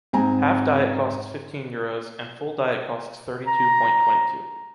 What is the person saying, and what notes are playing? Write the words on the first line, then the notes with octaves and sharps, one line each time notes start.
Half diet costs fifteen euros, and full diet costs thirty-two point twenty-two.
G#2 C4 G#5 A#5
A#5